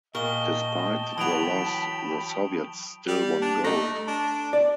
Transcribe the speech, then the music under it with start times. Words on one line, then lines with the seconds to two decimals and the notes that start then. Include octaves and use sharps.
Despite the loss, the Soviets still won gold.
0.15 A#2 A#4 D#5 G5 A5 C#6 G7
1.18 E3 F#3 B5 D#6 D7 F7
3.07 G3
3.42 D4
3.64 A3 D#5 A#5
4.07 D4
4.53 D5